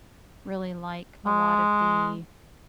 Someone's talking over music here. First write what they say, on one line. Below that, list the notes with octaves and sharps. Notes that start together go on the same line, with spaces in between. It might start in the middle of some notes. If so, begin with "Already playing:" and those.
really like a lot of the,
G#3